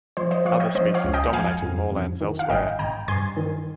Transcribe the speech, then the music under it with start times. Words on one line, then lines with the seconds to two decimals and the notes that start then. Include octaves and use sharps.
Other species dominate in moorlands elsewhere.
0.17 F3 C5
0.31 C5 D#5
0.45 F3 C#5 F5
0.60 D#5 G5
0.75 F3 C5 D#5
0.94 C#5 F5
1.04 C#2
1.14 D#5 G5
1.33 F2 F5 G#5
1.62 F2
1.92 F2
2.21 D#3
2.39 F5
2.50 G#1 D#5 G5
2.79 G#1 G5 A#5
3.08 G2 G#5 C6
3.37 D#3